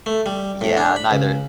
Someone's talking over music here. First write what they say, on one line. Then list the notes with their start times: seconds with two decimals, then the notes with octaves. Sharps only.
Yeah, neither
0.06 A3
0.26 G3
0.61 A2
0.77 D4
0.96 B5
1.11 C#2